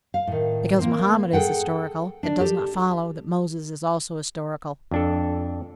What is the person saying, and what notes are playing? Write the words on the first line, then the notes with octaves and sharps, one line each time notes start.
Because Mohammed is historical, it does not follow that Moses is also historical.
F5
A2 D#3
A#3 C4
G#4 A4 B4 F#5 G5
D4 D5
G4 A4
F2 D4 A4